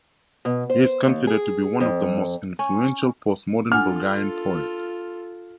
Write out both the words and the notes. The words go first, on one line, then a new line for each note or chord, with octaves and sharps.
He is considered to be one of the most influential postmodern Bulgarian poets.
B2
C5
D#2
G#4
F2
C#4
D4 F4 A4 F#5 G#5 F6